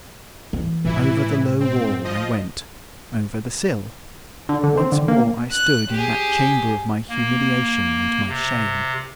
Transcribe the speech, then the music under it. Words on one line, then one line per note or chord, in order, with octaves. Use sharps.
Over the low wall I went, over the sill,--once more I stood in that chamber of my humiliation and my shame.
E3
A2 E3 G#3 E4
C4
F3 D#5
D3
D3
C4
D3
A#3
F#6
G4 G#4
A#3
C3